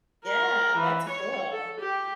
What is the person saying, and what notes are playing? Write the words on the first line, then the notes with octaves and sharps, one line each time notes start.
Yeah, that's cool.
A#4
E3
C#5
A4
G4